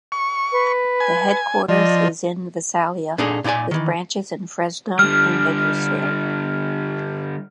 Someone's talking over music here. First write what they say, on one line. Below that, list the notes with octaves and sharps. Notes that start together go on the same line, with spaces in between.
The headquarters is in Visalia with branches in Fresno and Bakersfield.
C#6
B4
G#5
F3 D5 D#5
A#2 D4 D#4 G#4 A4
A#2 D#4 E4 D5 G#5
D#3 E3
D3 G3 F6